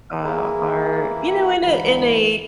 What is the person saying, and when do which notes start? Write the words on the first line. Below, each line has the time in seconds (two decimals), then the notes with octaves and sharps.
uh, are, you know, in a, in a
0.24 E3 A#3 E4 G#4
1.63 D2 G#2 E3 B5